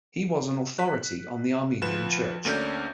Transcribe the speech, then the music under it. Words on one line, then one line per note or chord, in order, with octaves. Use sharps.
He was an authority on the Armenian Church.
F#6 B6
D2 F3 B4 E7
D2 A3 A#3 C#4 D4 G6